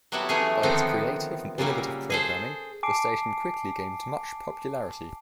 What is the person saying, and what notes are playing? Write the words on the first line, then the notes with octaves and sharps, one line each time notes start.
By its creative and innovative programming, the station quickly gained much popularity.
F#3 G3 B3 E4 F#4 A4
E3 F#3 A3 C#4 G#4
D3 D#3 F3 B3 C4 D#4
A#2 C#3 F#3 G3 A#3
G#4 A4 C5
G#5 A5 D6 C7 D7